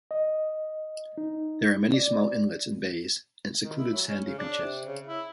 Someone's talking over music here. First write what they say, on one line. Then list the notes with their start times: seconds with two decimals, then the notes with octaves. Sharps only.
There are many small inlets and bays and secluded sandy beaches.
0.11 D#5
1.18 D#4
1.94 D5
3.63 D#3
3.77 E4
3.93 F#3
4.07 C#4
4.24 C#3
4.39 D4
4.60 C3
4.85 C#3
5.07 E4